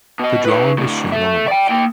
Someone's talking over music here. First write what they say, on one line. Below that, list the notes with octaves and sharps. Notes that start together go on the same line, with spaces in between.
The drawing is shown on the left.
B2 D#5
D#4 B4
A2 D3
A4 E5
D5 G5
A#3 G5